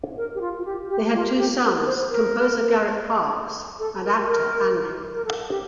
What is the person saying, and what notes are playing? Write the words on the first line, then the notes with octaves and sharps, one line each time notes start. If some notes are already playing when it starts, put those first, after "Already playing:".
They had two sons, composer Garrett Parks and actor Andrew.
A#4
G4
F4
F4
G4
G4
F4
G4
A#4
C5
A#4
A4
A#4
A#4
A#4
A4
G4